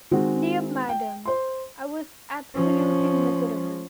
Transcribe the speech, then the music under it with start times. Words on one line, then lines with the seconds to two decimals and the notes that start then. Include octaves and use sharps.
Dear madam, I was absolutely miserable!
0.11 D#3 G#3 C4 F#4 G#4
0.89 G5
1.26 C5 C6
2.55 F3 C#4